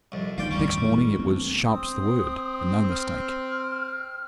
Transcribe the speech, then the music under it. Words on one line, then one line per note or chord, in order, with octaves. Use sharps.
Next morning it was 'sharp's the word', and no mistake.
C2 F2
D2 D#3 F4 D5 G5
G#1 E2 G3 C#4
E3 G#3
D2 B3 C4
C4 D#6
F6